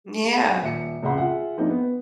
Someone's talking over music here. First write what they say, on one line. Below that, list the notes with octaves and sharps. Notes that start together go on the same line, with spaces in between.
Mm, yeah.
G#3
D#1 E5 C#7
F1 C#2 G#3 E5 F#5 C6
F4 G#4 E5 F#5
F3 A#3 C4 D4 D#4
B3